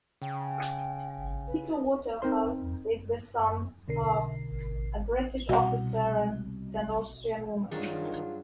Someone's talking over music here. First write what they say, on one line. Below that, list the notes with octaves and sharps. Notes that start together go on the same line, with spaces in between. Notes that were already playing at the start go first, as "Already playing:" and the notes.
Peter Waterhouse is the son of a British officer and an Austrian woman.
C#3 G5
B4
C4 D#4 A#4 C5 C6
B1 B2 D3 A#4 C7
C2 B2 F#4 F#5
G2 D#3 F#3 D4 F4 G#4